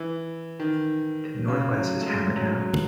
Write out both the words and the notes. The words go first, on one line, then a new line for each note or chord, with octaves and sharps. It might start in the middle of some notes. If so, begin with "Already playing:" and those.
To the northwest is Hammertown.
Already playing: E3
D#3
C#3
F#3
A3
G#3
F#3
F#3